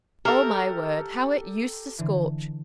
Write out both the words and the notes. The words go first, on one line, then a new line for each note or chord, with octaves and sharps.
Oh, my word, how it used to scorch!
G4 A4 A#4 E5 C7 E7
D3 E3